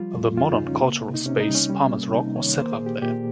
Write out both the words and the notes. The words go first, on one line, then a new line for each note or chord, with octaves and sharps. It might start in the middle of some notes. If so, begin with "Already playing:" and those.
The modern cultural space Palmer’s Rock was set up there.
Already playing: F3 G3 F4
F2
F2 F4
D#4
C#3
C#4
A#3
C3
D#4
C3 C#4
D#4
G3
C#4
G3
A#3
C3 D#4
D#3 C#5
A#3 C5
G#4
A#2
G4
A#2 G4